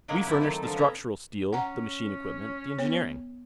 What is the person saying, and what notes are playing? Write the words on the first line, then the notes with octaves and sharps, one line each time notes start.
We furnish the structural steel, the machine-equipment, the engineering.
C#3 F#3 G#3 A#3 A#4 F#5
A3 A#3 C4 E4
D#3 F#3 A4
D3 F3
B3 C#4 E5 A#5
C#4 F#5 A#5
B3 C#5